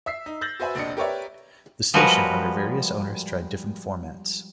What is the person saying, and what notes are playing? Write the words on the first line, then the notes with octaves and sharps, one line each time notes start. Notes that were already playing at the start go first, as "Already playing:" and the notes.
The station, under various owners, tried different formats.
E5 E6 B6 C7
D#4
E6 G6 A6 A#6 F#7
F#4 B4 C5 E5 G#5 B5
F1 A#1 D4 D#5 C#7
G4 A#4 B4 C#5 D5 E5
F3 G3 G#3 F#4 A#4 B4